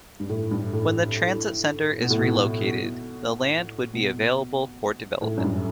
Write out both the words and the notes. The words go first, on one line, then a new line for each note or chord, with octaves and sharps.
When the transit center is relocated, the land would be available for development.
G2
A2
G2
A2
B2
A2
B2
B2
B2
A2
F#2
G2